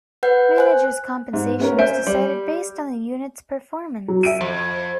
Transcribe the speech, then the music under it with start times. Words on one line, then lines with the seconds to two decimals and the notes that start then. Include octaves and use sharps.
Managers' compensation was decided based on the units' performance.
0.23 B4 F#5 G6
0.57 C5 G#5 F#6
1.33 G#2
1.60 B3 C#4 A#4
1.79 C5 E5 G#5 G6 D7
2.07 G3
4.08 F#3
4.23 E5 D7 D#7
4.41 F2